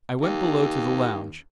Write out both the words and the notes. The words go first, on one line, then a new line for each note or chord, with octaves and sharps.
I went below to the lounge.
D#2